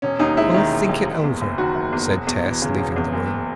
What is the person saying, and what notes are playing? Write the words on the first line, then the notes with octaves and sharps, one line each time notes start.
"I'll think it over," said Tess, leaving the room.
E1 C#4
D#2 D#4
G#3 E4
D#3 E4
E1
D#2
F#1
E2
F#1
D#3 F#4
F#1
E2
E1
E2
E3
C#3
E1
E2
F#1